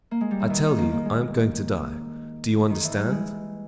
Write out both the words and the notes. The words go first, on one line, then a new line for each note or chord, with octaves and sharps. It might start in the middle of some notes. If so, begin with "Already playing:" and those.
I tell you I am going to die--do you understand?
A#3
G#3
G3
E3
D#3
D#3
A#3
A#3
G#3
D#3
E3
G3
G#3